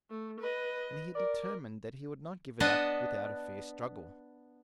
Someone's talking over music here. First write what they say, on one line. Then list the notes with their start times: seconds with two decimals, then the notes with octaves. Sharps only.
And he had determined that he would not give it up without a fierce struggle.
0.10 A3
0.40 B4 D#5
1.15 A#4 D5
2.60 B3 D4 B4 D#5 F#5 A5